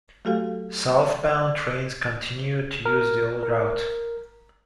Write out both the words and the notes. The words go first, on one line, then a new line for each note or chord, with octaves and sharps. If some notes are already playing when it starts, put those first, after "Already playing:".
Southbound trains continued to use the old route.
F#3 A3 F#4 G4 A4 F5
A#4
A#4